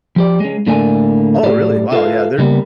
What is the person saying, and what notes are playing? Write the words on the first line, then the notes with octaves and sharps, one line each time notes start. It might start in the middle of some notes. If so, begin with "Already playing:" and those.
Oh really? Wow, yeah, they're
F3 G4 D5
G#3 C#4
A2 D3 A3 A#3 D5 G#5
A2 G4 D5
F4 A4 B4 C#5 E5 F5
C#3 G3 A#3 B3